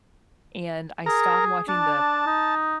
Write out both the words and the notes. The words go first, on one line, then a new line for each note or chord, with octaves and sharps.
and, I stopped watching the f
G#4 A#4
D4 A5
D#4